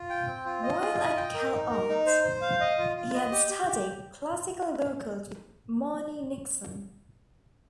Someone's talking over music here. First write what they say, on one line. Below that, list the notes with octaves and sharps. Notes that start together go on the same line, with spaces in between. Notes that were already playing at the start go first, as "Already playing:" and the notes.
While at Cal Arts, he had studied classical vocals with Marni Nixon.
Already playing: F4
G5
C4
F4
D#5
F4
D#5
G5
A#4
D#4
A#4
D#4
C5
C5
F5
D#5
F4
F4
D#5
G4
G4
G4